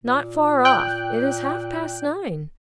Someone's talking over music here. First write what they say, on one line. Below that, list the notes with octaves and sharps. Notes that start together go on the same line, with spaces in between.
'Not far off--it is half-past nine.
A#2
G5 F#6